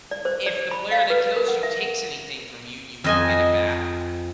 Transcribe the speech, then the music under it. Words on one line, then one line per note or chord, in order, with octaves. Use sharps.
If the player that kills you takes anything from you, you won't get it back.
D5
C5
D5
B5
F5
B4
A#4
F#5
E5
F2 D#5 G#5